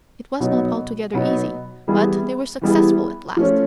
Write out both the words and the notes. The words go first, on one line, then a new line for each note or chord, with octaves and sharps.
It was not altogether easy, but they were successful at last.
B2 F#3 B3 D#4
B2 F#3 B3 D#4
E3 G3 B3 E4 G#4
E3 G3 B3 E4 G#4
F3 A3 C#4